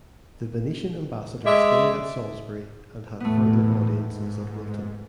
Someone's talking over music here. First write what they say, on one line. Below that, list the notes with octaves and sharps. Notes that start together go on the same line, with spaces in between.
The Venetian ambassadors stayed at Salisbury and had further audiences at Wilton.
G#3 D5 E5
E2 A2 A3 B3
G#2